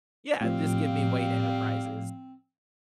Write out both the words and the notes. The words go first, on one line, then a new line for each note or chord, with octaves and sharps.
Yeah. Just give me Wayne Enterprises,
A2 F3 G3 C4 F5